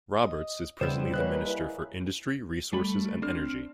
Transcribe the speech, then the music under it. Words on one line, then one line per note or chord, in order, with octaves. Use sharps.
Roberts is presently the Minister for Industry, Resources and Energy.
D#5
C#3 G3 B3 E4 C5
G#3 A#3 C#4 B4 F#6
E4
G3 A3 B5
C4 D4 F6